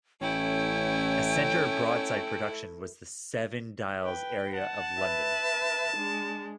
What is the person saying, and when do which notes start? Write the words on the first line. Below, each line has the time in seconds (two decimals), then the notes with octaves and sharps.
A centre of broadside production was the Seven Dials area of London.
0.21 A1 A3 C#4 E4 G5
4.03 B4 G5
4.54 F#5 A5
4.97 B4 E5
5.97 G#3 D4